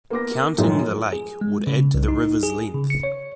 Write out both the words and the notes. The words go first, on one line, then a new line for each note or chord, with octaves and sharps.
Counting the lake would add to the river's length.
A#3 B3 D6 A#6
B1 F#2 A2 D#3 F3 G#3
G#4
G#3
C#3
C2
D#4
G#4
C#3
C#7
C#5